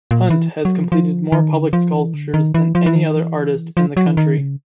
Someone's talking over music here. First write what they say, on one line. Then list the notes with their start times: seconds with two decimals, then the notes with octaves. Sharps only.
Hunt has completed more public sculptures than any other artist in the country.
0.11 A#2
0.30 E3
0.65 F#3
0.78 F3
0.92 F3
1.32 D#3
1.53 D3
1.73 F3
1.93 E3
2.14 D3
2.34 D#3
2.54 E3
2.75 F3
2.86 E3
2.95 D#3
3.16 E3
3.77 F3
3.97 F#3
4.07 E3
4.17 D#3
4.38 C#3